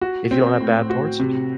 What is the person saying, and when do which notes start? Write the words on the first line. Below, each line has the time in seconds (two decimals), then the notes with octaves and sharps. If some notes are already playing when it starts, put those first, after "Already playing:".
if you don't have bad parts of you.
0.01 F#4
0.31 C4
0.61 A2
0.90 F#4
1.20 C3